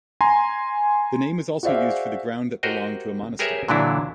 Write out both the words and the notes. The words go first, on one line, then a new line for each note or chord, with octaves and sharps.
The name was also used for the ground that belonged to a monastery.
G#5 A#5 C6
F#4 G#4 C5 D5 E5 F5
F#4 G4 A#4 C5 D#5
G4 G#4 A#4 B4 C#5 E5
A#2 D3 E3 F#3 D4 E4